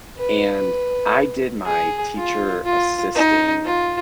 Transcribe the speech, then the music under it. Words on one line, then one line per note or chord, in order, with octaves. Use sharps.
and I did my teacher assisting
B4
G#4
F4
F4
D#4
F4